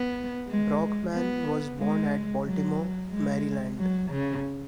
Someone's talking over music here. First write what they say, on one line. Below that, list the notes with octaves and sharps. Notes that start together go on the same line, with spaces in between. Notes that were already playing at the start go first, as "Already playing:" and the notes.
Brockman was born at Baltimore, Maryland.
Already playing: B3
G#3
B3
G#3
F#3
G#3
F#3
C#3